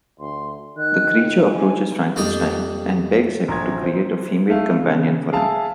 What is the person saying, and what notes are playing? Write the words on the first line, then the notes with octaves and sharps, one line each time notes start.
The creature approaches Frankenstein and begs him to create a female companion for him.
D2 C6
D#3 F#6
G#5
F2 A#2 G3 D4 D#5 G5
A#1 A#5 G#6
C5
A3 F5
C#3
G#4 E5 F5 G#5 A5